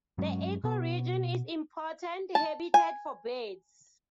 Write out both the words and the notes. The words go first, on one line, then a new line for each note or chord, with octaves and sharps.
The ecoregion is important habitat for birds.
G2 F#3 G#3 C#4
B2 B3
A5
G#5